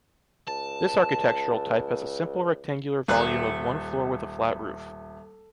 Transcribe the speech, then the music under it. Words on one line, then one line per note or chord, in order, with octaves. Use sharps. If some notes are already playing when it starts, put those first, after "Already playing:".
This architectural type has a simple rectangular volume of one floor with a flat roof.
C#2 A5
D#1 A3 F#6